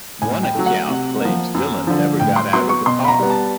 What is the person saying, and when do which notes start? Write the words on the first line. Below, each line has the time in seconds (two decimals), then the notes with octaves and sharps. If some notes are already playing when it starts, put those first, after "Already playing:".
One account claims Dillon never got out of the car.
0.22 A2 G#5
0.43 G5
0.55 F#3 A3
0.66 F#5
0.88 C3
1.21 F3 A#3
1.54 F#2
1.87 D3 F3
2.20 A2 G5
2.36 C6
2.53 F#3 B3 C6
2.69 C#6
2.86 B2 C6
3.04 B5
3.08 A#5
3.19 G3 B3
3.30 A5